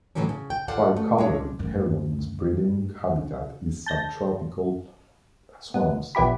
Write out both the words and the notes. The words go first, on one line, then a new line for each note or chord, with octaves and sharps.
Tricolored heron's breeding habitat is sub-tropical swamps.
A2 D3 E3 F#3 C#4
C#3
G5
F4 A4 D5 F5 F#5
A3
G#3 D4 C#5
F#2 A3
A5 G6 A#6
B3
A#1 B3 E4 G4 B5